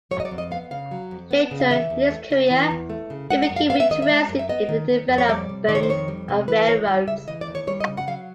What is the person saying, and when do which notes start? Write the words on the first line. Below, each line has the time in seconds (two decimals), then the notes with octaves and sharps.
Later in his career, he became interested in the development of railroads.
0.11 F#3 C#5
0.20 D#5
0.25 D5
0.31 F2
0.38 D#5
0.51 B3 F5
0.71 C#3 F5
0.91 F#3
1.11 F2
1.31 B3
1.51 C#3
1.60 F5
1.71 E3 E5
1.90 E2
2.10 A3
2.31 C#3
2.51 E3
2.71 E2
2.90 A3
3.10 C#3
3.30 G#3 F#5
3.42 F#5
3.50 F#2
3.56 F5
3.70 B3 F5
3.80 E5
3.89 D#3 D#5
4.02 E5
4.09 G#3
4.29 F#2
4.39 E5
4.49 B3 D#5
4.69 D#3
4.90 D#3
5.08 F2
5.18 C#5
5.29 G3 D5
5.49 C3
5.69 D#3 D5
5.75 C#5
5.83 C5
5.89 F2 C#5
6.08 G3
6.29 C3
6.48 E3 B4
6.68 D#2 C#5
6.88 G3
7.08 C#3 E5
7.28 E3 D#5
7.41 D5
7.47 D#2
7.55 C#5
7.67 G3 C#5
7.80 D#5
7.87 C#3
7.97 F#5
8.07 F#3 F5